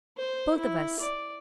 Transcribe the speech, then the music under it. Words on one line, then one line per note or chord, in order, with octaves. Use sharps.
'Both of us.
C5
E4
D5